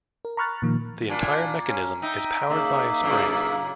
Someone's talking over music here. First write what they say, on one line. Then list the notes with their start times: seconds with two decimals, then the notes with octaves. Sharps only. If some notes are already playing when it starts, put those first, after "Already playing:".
The entire mechanism is powered by a spring.
0.25 A#4
0.37 A#5 B5 C#6 F6 F#6 A6
0.62 A#2 D#3 F3 A#3
1.10 A#2 D4 G#5
1.68 C#4
2.02 D#4 D#5 E5 G5
2.50 C#3 A#3 D#4 E5
3.03 F#2 A#2 C#3